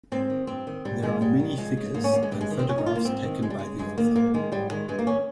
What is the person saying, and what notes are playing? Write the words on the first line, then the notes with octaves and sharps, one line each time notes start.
There are many figures, and photographs taken by the author.
G#2 C4
D#3
G2 C4
D#3
G#2 G3
D#3 G#3
G#2 G3
D#3
F2 G#3
C#3
G#2 A#3
C#4
D#3 A#3
G#3
G2 G3
G#3
D#3
C4
F2 C#4
D#4
D#3 F4
A#3
G#2 C4
D#3
F2 G#3
G3
C#3 G#3
G2 G#3
D#3 A#3
G#2 A#3
D#3 G#3
G#2 G3
D#3 G#3
G2 G#3
A#3
D#3 C#4